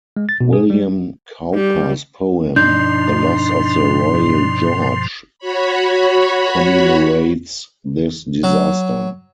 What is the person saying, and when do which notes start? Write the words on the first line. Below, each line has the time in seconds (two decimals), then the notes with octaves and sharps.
William Cowper's poem, the "Loss of the Royal George", commemorates this disaster.
0.17 G#3
0.29 A6
0.41 B2
0.53 G#4
0.70 G3
1.55 G3
2.56 G2 B2 F3 D4 D#4 C6 G6
5.39 F#4 C#5 B5
8.44 F#3